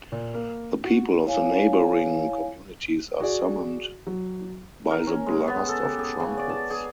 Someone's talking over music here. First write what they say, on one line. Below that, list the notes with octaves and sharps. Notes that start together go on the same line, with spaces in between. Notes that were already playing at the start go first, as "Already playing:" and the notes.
The people of the neighboring communities are summoned by the blast of trumpets.
A#2
A#3
F#4
E4 C#5 F5 G#5
F#4 G#4 D5
F#3
A#4
C#4
G#3
B3
A4
G4
G#4
C#3
D5
A5
G#4